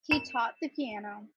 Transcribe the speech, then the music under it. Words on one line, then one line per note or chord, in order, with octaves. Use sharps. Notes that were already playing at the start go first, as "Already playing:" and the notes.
He taught the piano.
E7